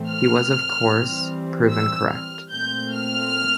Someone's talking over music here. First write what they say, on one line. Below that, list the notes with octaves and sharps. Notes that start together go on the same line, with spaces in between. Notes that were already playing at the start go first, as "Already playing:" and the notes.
He was, of course, proven correct.
Already playing: A2 E3 A3 C4
F6
E3 G3 C4
E6
F6
A#2 A3 C4 G6
F6